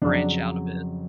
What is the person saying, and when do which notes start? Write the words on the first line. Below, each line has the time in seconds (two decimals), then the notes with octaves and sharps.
branch out a bit.
0.02 F2 C#3 F#3 D4